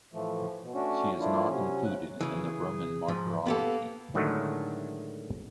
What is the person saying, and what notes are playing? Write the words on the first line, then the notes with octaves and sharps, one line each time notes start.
She is not included in the Roman Martyrology.
A2 E3 F3 A3
B2
A3 C#4 D4 F#4
F3 A3 A#3 D4 E4 F4
C3 F#3 C#4
G#2 C#3 F#6
C#3 E3 G#4
G#2 F3
A#3 B3 G4 A4
A2 D3 D#3 F#3 G#3 A3